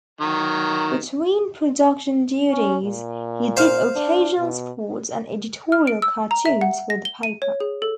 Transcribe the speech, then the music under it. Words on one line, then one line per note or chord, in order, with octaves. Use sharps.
Between production duties, he did occasional sports and editorial cartoons for the paper.
D#3 F#3
C#4
A#2
C5 F5
D4
B2
F6
D7
E6
A#5
E5
F#5
A#6
G7
D#7
C#5
G#4
A4